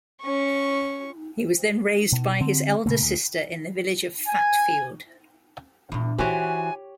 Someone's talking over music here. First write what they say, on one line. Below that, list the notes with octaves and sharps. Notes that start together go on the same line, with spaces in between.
He was then raised by his elder sister in the village of Fatfield.
C#4 C#6
B2
D3 C4
A#2 C#3 A3 A#3
D2
G#5
E2 G2 A#2
E3 D#4 F#4 G4 C5 C#5 G#5